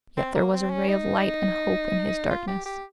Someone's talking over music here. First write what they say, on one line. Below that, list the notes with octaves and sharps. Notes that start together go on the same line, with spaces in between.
Yet there was a ray of light and hope in his darkness.
C4
A#3
C4
C#4
D#4
F4
G4
G4